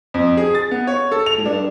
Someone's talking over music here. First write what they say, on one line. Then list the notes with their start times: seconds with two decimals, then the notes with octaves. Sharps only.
you know,
0.14 F2
0.37 G#4
0.55 A6
0.71 B3
0.87 C#5
1.12 A4
1.26 F7
1.46 D4